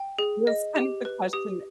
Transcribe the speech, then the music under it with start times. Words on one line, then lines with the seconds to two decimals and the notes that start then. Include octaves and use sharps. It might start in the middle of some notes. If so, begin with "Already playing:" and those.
That's kind of the question
Already playing: G5
0.19 G#4
0.47 D#5
0.76 G4
1.05 B4
1.33 G4 D#6